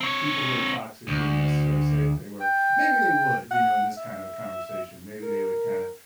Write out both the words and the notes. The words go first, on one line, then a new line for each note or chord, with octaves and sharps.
people who are toxic wouldn't necessarily say that they were. Maybe they would, you know, in this kind of a conversation. Maybe they would kinda,
C4 C#5
D2
G5
F#5
E5
A#4